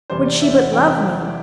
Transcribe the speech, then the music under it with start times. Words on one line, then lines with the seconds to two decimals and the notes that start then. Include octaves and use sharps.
Would she but love me!
0.10 E2 C3 E3 G3 C5
0.25 D5
0.41 E5
0.56 F#5
0.72 E2 C3 E3 G3 G5